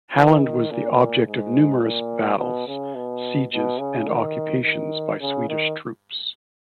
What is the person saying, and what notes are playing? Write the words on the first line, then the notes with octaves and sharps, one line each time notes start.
Halland was the object of numerous battles, sieges and occupations by Swedish troops.
E3
D#3
A#2
G#2
A#2
B2
C#3
B2
B2
C#3
D#3
D#3
C#3
D#3